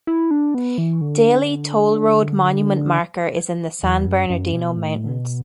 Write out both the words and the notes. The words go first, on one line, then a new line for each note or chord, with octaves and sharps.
Daley Toll Road Monument marker is in the San Bernardino Mountains.
E4
D4
B3
E3
D3
E2
F#2
F#2
B2
A2
B2